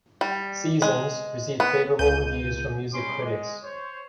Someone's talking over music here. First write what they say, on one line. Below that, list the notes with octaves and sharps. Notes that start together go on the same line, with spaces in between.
"Seasons" received favourable reviews from music critics.
G3
G#3
B3
C#2 G6 D#7
G3 G#3 C#4 C6 D6
G#3
C5 C#5